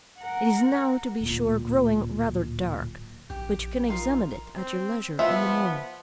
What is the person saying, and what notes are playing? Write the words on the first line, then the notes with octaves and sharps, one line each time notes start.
It is now, to be sure, growing rather dark--but you can examine it at your leisure in the morning.
A#4 F#5
D1 A#2
A#1 G4
D#4 F4 A#4
C4
F3 B3 E5